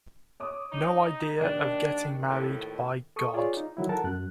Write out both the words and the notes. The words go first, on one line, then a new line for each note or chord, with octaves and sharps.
No idea of getting married, by God!
C#5 D6 D#6
D#4
D#2 D#3 D4 F#6
F2 A2
A4 C#6 D#6
F4 G#4 C#5 D5
D#4
D#3 F#3 E4
A4 A#4 F#5 A5
F#2 F#6